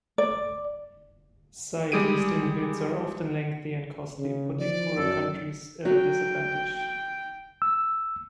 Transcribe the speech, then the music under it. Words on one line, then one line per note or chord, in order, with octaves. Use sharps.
Site listing bids are often lengthy and costly putting poorer countries at a disadvantage.
D5
G3 G#3 G4 G#4 D7 D#7
C#3
F3 D5
F#2 A4
F#3 G5
E6